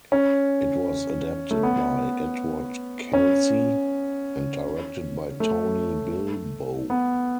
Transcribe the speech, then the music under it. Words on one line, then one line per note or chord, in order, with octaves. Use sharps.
It was adapted by Edward Kelsey and directed by Tony Bilbow.
C#4
A3
B3
C#4
A3
B3